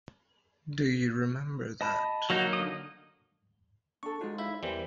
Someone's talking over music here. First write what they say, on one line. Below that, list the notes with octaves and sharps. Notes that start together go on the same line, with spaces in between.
Do you remember that?
D#5 A5 B5
F#3 A#3 D#4 F#4
D3 D#6
D4 A4 C#6
G#3 D#4 F4 F#4 C5
E4 C5 E5 F5
E2 E3 G3 A#4 C5